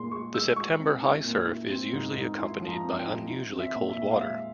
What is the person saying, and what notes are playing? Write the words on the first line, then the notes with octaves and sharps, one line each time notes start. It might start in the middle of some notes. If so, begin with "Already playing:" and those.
The September high surf is usually accompanied by unusually cold water.
Already playing: A#2 G#3 C6
G#3 C#6
G#3 E6
G#3 C#6
C4
E4
A#2
E4
C4
G#2
G#2
E4 C6
F3
A#5
C4
G5
E4
E4
C4
E5
A#2
E5
A#2
F5
G#3 E5